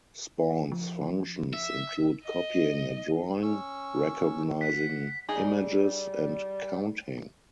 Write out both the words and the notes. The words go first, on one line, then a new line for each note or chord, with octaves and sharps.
Spaun's functions include copying a drawing, recognizing images, and counting.
F3
E5
D#5
C#4 C#6 E6
F#5 B6
G3 D#4 G#4